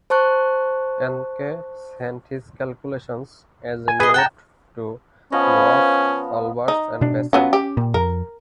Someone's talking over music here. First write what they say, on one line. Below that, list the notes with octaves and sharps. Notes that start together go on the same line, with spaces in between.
Encke sent his calculations as a note to Gauss, Olbers, and Bessel.
C5 A5 C#6 F#6
G#5
G#4 B4 D#5 G#5
F#5 G5 A5 A#5
F3 B3 C#4 D#5
D#4
B2 D4
F#3 B3 C#4 F4
G4
A#2
F2 A#4